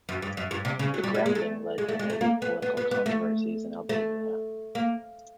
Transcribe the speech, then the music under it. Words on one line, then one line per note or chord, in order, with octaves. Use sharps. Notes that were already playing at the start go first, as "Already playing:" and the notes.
The grounding led to heavy political controversies in Albania.
F#2
G2
F#2
G2
C3
C#3
F#3
G3
G3
G#3
A3
G#3
A3
G#3
A3
A#3
B3
B3
B3
B3
A3
A3
A#3